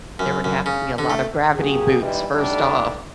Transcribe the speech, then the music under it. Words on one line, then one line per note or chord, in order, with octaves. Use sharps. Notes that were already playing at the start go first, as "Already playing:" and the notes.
There would have to be a lot of gravity boots first off.
F#2
F#2
C#3
D3
A3
F#3 A#3 G4 G#4
E3 G3 G#3 D#4 E4
G2 D3 G3 A3 D4 D#4